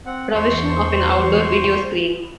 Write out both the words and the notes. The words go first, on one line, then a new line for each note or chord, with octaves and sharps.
Provision of an outdoor video screen.
C4 F#5
E2 C5 C6 C#6